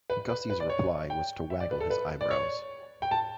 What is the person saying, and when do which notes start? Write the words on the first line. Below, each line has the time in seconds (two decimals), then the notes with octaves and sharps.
Gussie's reply was to waggle his eyebrows.
0.10 B4
0.29 B4
0.50 B4
0.60 D5
0.70 C#5
1.10 G5
1.50 E5
1.60 D5
1.71 B4
1.80 A4
1.90 B4
2.21 D5
2.31 C#5
3.02 G5
3.11 A5